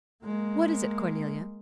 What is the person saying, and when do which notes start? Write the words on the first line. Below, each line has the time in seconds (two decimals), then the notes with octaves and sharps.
"What is it, Cornelia?"
0.24 G#3 A#3